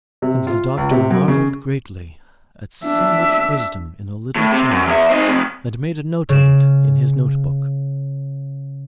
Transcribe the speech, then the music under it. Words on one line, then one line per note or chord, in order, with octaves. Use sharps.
And the doctor marvelled greatly at so much wisdom in a little child, and made a note of it in his note-book.
C3
F4
C#2
C3
F#2
C#3
D4 E5
A2
C3
F#2
E2 E5
C4 D#4
F2 C3
C#3 E7